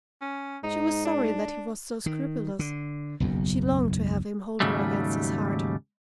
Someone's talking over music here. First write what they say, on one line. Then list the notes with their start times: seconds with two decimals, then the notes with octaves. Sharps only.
She was sorry that he was so scrupulous. She longed to have him hold her against his heart.
0.21 C#4
0.63 G#2 D#4
1.05 D4
2.06 D#3
2.59 D3
3.20 F#1 B1 E2
4.60 D#2 G#2 C#3 F#3 G3 A3